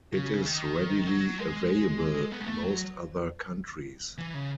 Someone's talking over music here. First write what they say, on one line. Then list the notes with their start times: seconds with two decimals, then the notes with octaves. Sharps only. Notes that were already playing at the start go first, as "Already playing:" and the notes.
It is readily available in most other countries.
0.14 C#3
0.46 D#3
1.07 F#3
1.39 G#3
2.32 B3
2.40 G#3
2.47 A3
2.63 F#3
4.18 E3
4.34 C#3